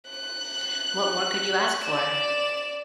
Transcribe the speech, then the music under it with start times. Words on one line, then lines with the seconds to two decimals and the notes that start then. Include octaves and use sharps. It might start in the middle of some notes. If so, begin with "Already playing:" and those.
What more could you ask for?
0.10 F#6
1.85 D5 E7